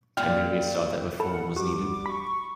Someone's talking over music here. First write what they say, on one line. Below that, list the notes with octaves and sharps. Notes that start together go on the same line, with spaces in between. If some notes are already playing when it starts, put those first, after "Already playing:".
Tiberius saw that reform was needed.
A#2 G3 G5 F6
A4 A#4 F#5 B5
G3 F#4 G4 D6
B5 C#6